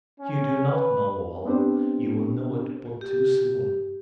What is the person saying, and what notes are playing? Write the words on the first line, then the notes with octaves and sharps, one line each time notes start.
If you do not know all, you will know it but too soon ....
C#4
B4
B3 C4 D4 G4 C5
G4